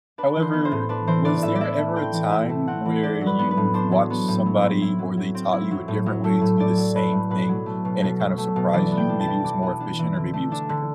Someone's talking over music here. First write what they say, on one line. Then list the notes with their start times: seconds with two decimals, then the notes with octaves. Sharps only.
However, was there ever a time where you've watched somebody, or they taught you a different way to do the same thing, and it kinda surprised you, maybe it was more efficient or maybe it was quicker?
0.18 D4 B4
0.36 E3
0.42 C5
0.53 B3
0.65 C5
0.71 A2
0.89 D4 B4
1.07 E3 C5
1.25 B3 D5
1.43 A2 E5
1.55 D5
1.61 E4 E5
1.78 A3
1.96 C4 G5
2.14 E3
2.32 E4 E5
2.49 A3
2.68 C4 F#5
2.85 E3
3.03 D4 D5
3.21 F#3
3.27 B4
3.39 B3
3.51 B4
3.57 A2
3.74 D4 C5
3.92 F#3
4.10 B3
4.28 A2
4.46 F#3
4.63 C4
4.82 E4
4.99 F#3
5.17 F#3
5.35 C4
5.53 E4
5.71 F#3
5.88 A2
6.06 F#3
6.24 A3
6.41 A2
6.59 A2 D5
6.77 F#3
6.95 A3 B4
7.13 A2
7.30 B2 B4
7.49 F#3
7.66 A3
7.85 B2
8.03 B2
8.20 F#3
8.38 A3
8.56 B2
8.73 E3 D5
8.92 B3
8.98 G5
9.09 D4
9.21 A5
9.27 E3
9.45 E3 D6
9.62 B3
9.80 D4
9.99 E3
10.16 D3
10.34 A3
10.52 D4
10.69 D3